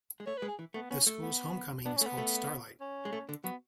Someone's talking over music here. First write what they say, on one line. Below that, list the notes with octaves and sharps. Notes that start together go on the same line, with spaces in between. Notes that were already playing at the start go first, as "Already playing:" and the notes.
The school's Homecoming is called Starlight.
G#3
A3 C#5
B4
G#3
G#4
E3
A3 B3
B3 C#4
A3
B3
B3 D4
C#4
A3
B3
A3
C#4
G#3
A3
D3
F#3 B3